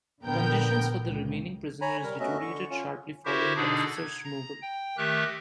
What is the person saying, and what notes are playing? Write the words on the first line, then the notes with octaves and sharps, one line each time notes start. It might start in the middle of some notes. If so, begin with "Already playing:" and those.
Conditions for the remaining prisoners deteriorated sharply following the officers' removal.
A#1 D3 B3 A#4 G5 G6
C#2
C#5 G#5 A#5 B5
G3 A#4
A3 B3 C#4 F#4 D#5 E5
D3 C#6
C#4 F4
E4 F#4 G4 A#4 C5 E5
B2 D3 D4 D#4 G#4
G#6
A#5
G5
D#3 A3 G4 A#4 E5 F#6